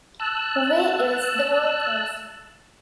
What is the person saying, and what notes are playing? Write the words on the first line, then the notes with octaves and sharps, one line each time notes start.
V is the voltage.
A5 E6 F#6